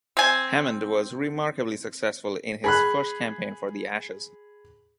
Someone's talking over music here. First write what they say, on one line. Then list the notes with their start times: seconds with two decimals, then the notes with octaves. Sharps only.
Hammond was remarkably successful in his first campaign for The Ashes.
0.17 C4 G#5
2.64 G#4 B5 F#6